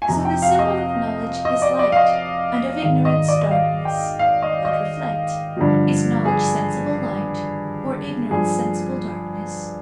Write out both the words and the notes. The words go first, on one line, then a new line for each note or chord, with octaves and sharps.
So the symbol of knowledge is light, and of ignorance, darkness; but reflect, is knowledge sensible light, or ignorance sensible darkness?
G#5
F2 C3 F3 A#5
G5
F5
D#5
D#5
D5
D5
F5
D#5
G#2 D#3 F5
D#5
D5
D#5
F5
G5
F5
D#5
D#5
G2 D3 F3
G#4
G2 F3 G#4